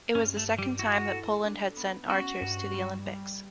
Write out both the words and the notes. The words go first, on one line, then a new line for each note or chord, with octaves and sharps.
It was the second time that Poland had sent archers to the Olympics.
G2 C#4
A3
G2
G3
E4 F#4
A4
D4
B3
C#4 F#4
G2
G3
G3